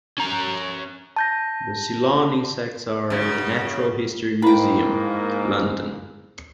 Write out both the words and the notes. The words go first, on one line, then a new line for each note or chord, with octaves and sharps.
The Ceylon insects are in the Natural History Museum, London.
C#4 A#5
A5 G6 A#6
F#2 C#3
G#2 A#3 E4 B4 G5